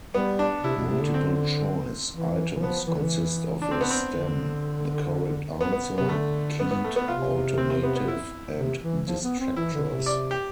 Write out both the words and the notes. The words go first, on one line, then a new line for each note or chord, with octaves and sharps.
Multiple choice items consist of a stem, the correct answer, keyed alternative, and distractors.
G3 B3
D4
C3 E4
B2
C3
D3
C4
E3
E3
F3 B3
E3
D3
E3
D4
C4
B3
C4
D3
B3
B3
C3 B3
D3 A3
B3
B3
A3
B3
C3 F4
C4
C4
B3
B3
E4
C3
E3
F3
B3
C4
E3 E4
D3
C3
D5
G4